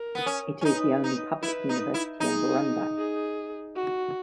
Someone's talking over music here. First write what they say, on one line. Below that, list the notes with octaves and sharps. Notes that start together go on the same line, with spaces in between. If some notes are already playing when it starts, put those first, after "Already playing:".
It is the only public university in Burundi.
Already playing: A#4
B3
C#4
C#4
D#4 B4
D#4
E4 B4
D#4
E4
D#4 G#4
G#4
F#4